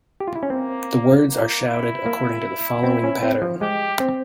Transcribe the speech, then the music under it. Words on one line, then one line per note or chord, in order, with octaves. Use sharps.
The words are shouted according to the following pattern.
G4
F4
E4
C#4
A#3 C4
A#3
E4
A#3
C4
C#4
C4
F3
G#3 G4
C4